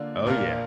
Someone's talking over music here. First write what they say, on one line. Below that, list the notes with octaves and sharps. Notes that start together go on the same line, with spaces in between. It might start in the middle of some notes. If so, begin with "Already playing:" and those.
Oh, yeah
Already playing: D3 A#3 F4 D5
A#1 A#2 A#3 F4 A#4